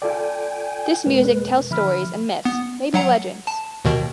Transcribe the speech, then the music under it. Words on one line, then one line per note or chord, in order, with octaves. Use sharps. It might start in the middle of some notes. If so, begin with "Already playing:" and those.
This music tells stories and myths, maybe legends.
F4 A4 D5 G5 G#5
F2 B2 G#3 A#3 B4
D3 F3 E5 B5 F6
B3
F#3 F#5 A#5
A5
D#2 B2 D#3